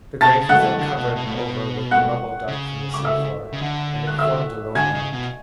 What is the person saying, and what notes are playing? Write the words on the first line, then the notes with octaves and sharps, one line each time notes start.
The grave was then covered over with the rubble dug from the seafloor, and it formed a low mound.
B2 A5 A6
C#3
F#5 F#6
E3
D3
B2
B2
A2
B2
F#5 F#6
C#3
D6
E5 E6
C#3
D3
F#6
E5 E6
D3 G#5 G#6
C#3
B2